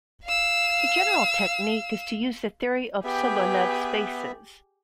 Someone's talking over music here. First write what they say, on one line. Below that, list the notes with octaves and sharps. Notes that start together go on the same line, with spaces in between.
The general technique is to use the theory of Sobolev spaces.
F5 E6
B3 G4 G#4 B4 E5 G5